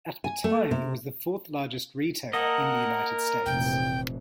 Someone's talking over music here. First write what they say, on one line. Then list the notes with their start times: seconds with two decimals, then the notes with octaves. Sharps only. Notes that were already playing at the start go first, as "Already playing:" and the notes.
At the time it was the fourth largest retailer in the United States.
0.24 G#5
0.44 A3
0.71 C3
2.33 A#3 A4 A#4 D#5 F#5
3.46 F1 A#2 E3 G5